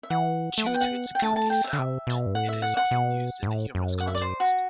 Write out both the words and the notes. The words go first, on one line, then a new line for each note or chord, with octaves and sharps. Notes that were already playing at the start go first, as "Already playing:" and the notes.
Due to its "goofy" sound, it is often used in a humorous context.
E5
E3 F#5
A3
B3 F#5
G5
F#5
G5
A3 A5
A5
G5
E5
D3
C3
B2
G2
A2 F#5
E5
F#5
F#5
B2
G2
A2
F#2
F#5
E5
D5
C5
F#4